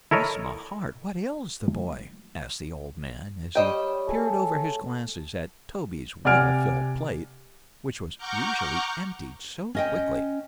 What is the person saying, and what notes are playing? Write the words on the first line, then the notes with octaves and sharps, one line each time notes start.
"Bless my heart! what ails the boy?" asked the old man, as he peered over his glasses at Toby's well-filled plate, which was usually emptied so quickly.
E4 A4 A#4 C#5 D#5
G3 C5 C#5 D#5 G5
A3 G#4 A4
C3 D5 F#5 G#5 F6 D7
F#5 A#5 C#6 D6 F6 G6
C#4 D#5 G5